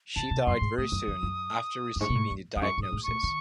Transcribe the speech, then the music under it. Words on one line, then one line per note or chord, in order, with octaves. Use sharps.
She died very soon after receiving the diagnosis.
C#3 A5
C3
F#2 C6
G#2
A2 D#6
F#2
E2
F#2
F#2
G#2 C#6
C3
A2
F#2
E2 D#6
F#2 C#6
G#2
D#6
G#2
A2 C#6
D#3